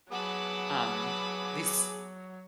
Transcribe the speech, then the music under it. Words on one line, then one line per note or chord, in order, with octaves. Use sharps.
um, these
F#3 B3 G#4 F#5 A5 B5 D6